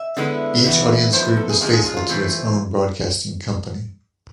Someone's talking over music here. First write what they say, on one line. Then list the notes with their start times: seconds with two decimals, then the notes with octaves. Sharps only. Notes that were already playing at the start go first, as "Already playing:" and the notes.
Each audience group was faithful to its own broadcasting company.
Already playing: E5
0.17 D3 G#3 B3 E4
0.64 E3 B3 E4
1.13 F3 B3 E4 C5
1.25 C5
1.37 A4
1.49 G#4
1.61 C3 G#3 D4 F4 G#4
1.73 G#4
1.85 F4
1.97 F4
2.09 E3 A3 C4 F4